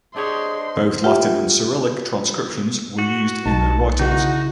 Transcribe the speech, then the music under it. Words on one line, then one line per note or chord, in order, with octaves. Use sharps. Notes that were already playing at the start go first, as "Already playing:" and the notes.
Both Latin and Cyrillic transcriptions were used in their writings.
D4 G4 G#4 C5 C#5 D#5 C6
F4 G4 E5 F#5 G5
F#4
B1 D#4 A5
C#3 D#4 E4 F#4